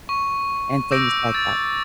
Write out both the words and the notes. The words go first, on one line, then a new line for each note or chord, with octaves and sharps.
and things like that.
C#6
D6 E6 G6 A#6 D7
A6